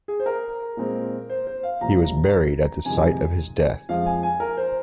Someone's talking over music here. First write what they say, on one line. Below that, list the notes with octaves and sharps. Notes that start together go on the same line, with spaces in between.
He was buried at the site of his death.
G#4
C5
A#4
A#2 G#3 C4
C5
C5
F5
C2 A#2 F3 A#5
F2 C3 D#3 G#3 G#5
F2 F3 G#3 F5
G#5
G#5
A#4
C5